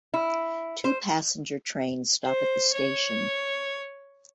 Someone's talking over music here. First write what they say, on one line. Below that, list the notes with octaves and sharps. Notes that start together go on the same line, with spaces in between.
Two Passenger trains stop at the station.
E4
C5
C5
C#5